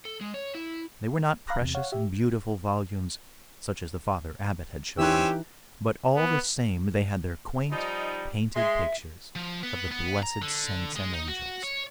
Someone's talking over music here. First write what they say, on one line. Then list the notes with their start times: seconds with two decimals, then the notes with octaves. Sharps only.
They were not precious and beautiful volumes, such as the Father Abbot had showed him, but all the same they had their quaint painted pictures of the blessed saints and angels.
0.05 A4
0.21 G#3
0.34 C#5
0.55 E4
1.48 F5 A#5 B5 F#6 A#6
1.61 E2 C3
1.74 C#5 F5 F#5
1.92 G4 E5
4.98 E3 C4 C#4 D#4 G4 E6 F#6
6.15 B3
7.71 F3 G3 D#4
8.56 G#3 E5 C6
9.36 F3
9.63 B3
9.91 B3
10.23 A#5
10.42 D3
10.96 G#3
11.14 D#4
11.28 F#4
11.63 C#5